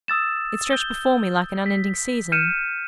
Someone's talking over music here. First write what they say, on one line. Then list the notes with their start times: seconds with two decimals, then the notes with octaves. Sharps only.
It stretched before me like an unending season.
0.08 D#6 E6 A6 E7
0.70 G6 G7
1.66 B6
2.32 F6 G6 C#7 D#7 E7